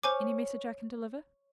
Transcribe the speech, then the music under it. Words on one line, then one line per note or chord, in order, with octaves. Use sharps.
"Any message I can deliver?"
C5 C#5 G#5 C#6 D6 F6